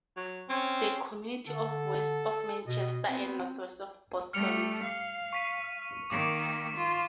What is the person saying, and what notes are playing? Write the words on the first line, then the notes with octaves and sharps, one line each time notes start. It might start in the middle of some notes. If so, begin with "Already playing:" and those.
The community is west of Manchester and northwest of Boston.
F#3
C4 C#4
D3 A4
B2 D#5
B3 C4
G3 A3 F6 C#7 F7
F5
C#6 B6 D#7
D#3 A#3 D6
F4